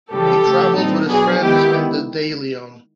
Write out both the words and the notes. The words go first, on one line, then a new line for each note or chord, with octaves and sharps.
He travels with his friends in the Daileon.
C#3 E3 G3 G4 A4
C#3 F3 A3
A#2 G3 C4 D#4
B2 F#3 B3 D4 G#4
D#3 G#3 B3 E4 G4